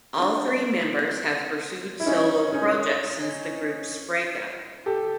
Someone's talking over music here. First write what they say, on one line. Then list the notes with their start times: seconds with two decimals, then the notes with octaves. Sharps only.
All three members have pursued solo projects since the group's breakup.
0.19 C4 D4
2.00 E4
2.06 C#4 D#4
2.53 C#4 D#4
4.86 G4 A4